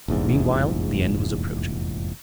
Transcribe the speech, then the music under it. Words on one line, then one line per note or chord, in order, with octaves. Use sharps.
Meanwhile the end was approaching.
F1 A#1 E2 G#2